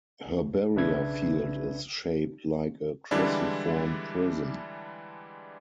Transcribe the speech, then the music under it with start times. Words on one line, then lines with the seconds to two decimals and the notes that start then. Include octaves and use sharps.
Her barrier field is shaped like a cruciform prism.
0.75 B1 C#3 D4 B4 E5 G#6
3.11 D3 E3 G3 G#3 D4 E4